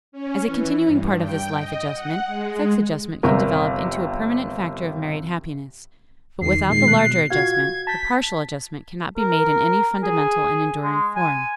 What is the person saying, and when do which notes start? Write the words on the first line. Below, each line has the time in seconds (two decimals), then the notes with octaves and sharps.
As a continuing part of this life adjustment, sex adjustment can develop into a permanent factor of married happiness; but without the larger adjustment, the partial adjustment cannot be made in any fundamental and enduring form.
0.12 C#4
0.45 E3
0.86 G2
1.20 G5
1.58 D#5
1.93 F#5
2.27 G#3
3.23 G1 C3 A#4
6.42 E2 D#3 C7
6.70 A#2 D#3 G#3 C7
6.87 B2 F#6
7.30 F4 F#4 F5 G#6
7.87 A5 G6 B6
9.18 A#4
10.03 G#4
10.84 G#3
11.16 G#5